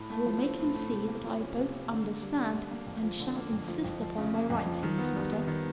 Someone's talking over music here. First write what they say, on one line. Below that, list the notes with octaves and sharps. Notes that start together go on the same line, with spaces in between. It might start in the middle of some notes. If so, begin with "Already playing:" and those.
I will make him see that I both understand and shall insist upon my rights in this matter.
Already playing: A2
A3
F3
C4
A2
A3
C3
A#3
F3
C#4
C3
A#3
D3
A#3
G3
D4
D3
A#3
F2
F3
D3
A#3
F2
F3
F2
F3
C#3
A#3
F2
F3
D#3
B3
G3
D#3
D#3